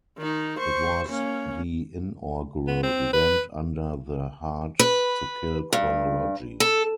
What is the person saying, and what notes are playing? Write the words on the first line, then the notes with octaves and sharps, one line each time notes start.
It was the inaugural event under the Hard To Kill chronology.
D#3 D#4
C5 C#6
A#3 C#4
B3
C4
B4
B4
G2
A4